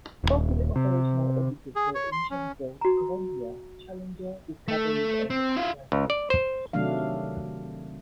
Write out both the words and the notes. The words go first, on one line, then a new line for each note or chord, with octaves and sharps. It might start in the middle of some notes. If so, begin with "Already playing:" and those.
Four fully operational orbiters were initially built: "Columbia", "Challenger", "Discovery", and "Atlantis".
D#1
C3
G#4
C#5
C6
C#4
F#4 A#5
A3
C4
E4 F4
C#2
D5
C5
C3 D#3 F#3 A3 D4 F5